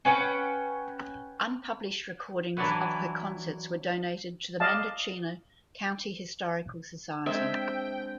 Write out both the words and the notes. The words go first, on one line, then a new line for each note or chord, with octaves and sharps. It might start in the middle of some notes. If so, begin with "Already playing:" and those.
Unpublished recordings of her concerts were donated to the Mendocino County Historical Society.
C#4 B4 F#5 G5
E3 F#3 D4 E4 F#4 B4
D5 D#5 F5 A5
G#3 C4 D4 C5 D#5 E5 G5